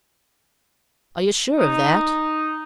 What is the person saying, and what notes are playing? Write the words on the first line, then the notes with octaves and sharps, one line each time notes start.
"Are you sure of that?"
D#4